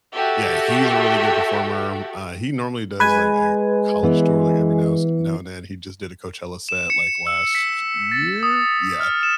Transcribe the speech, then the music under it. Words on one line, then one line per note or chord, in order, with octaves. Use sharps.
yeah, he's a really good performer, uh, he normally does, like, a college tour like every nows now and then, he just did a Coachella set, like, last year? Yeah,
F#4 G4 A4 E5
G#3 B4 G#5
E3 B3
E7
C#7
E6
B6
A6
D#6
F6
E7